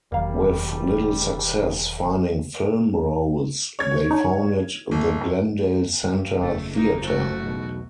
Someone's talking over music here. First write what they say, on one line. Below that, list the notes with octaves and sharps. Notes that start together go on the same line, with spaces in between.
With little success finding film roles, they founded the Glendale Centre Theater.
E1 E2 D#3 F#3 G3 A#3 F5
C#5 G#6
D4 D#4
G1
G2
F#1 A2 C#3 A3
A#3 D#4
F3 A3 F#4
B1 E2 B2